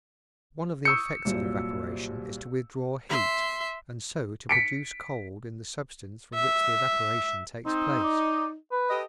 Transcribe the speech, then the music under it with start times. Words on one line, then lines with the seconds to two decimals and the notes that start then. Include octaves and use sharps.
One of the effects of evaporation is to withdraw heat, and so to produce cold in the substance from which the evaporation takes place.
0.85 C#6 D#6 E6 G6 C#7
1.25 C2 A#2 F#3
3.09 E5 C6
4.49 B6 C#7 D7
6.34 E5
7.66 C4 D#4
8.04 D5
8.71 B4
8.90 G4 A4 D#5